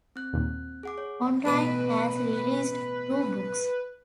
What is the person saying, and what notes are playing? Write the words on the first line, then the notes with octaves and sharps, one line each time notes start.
Onrait has released two books.
C4 F#6
D#2 A#2
G#4 F#5 D6
C#5
A1 B2 B4 D#6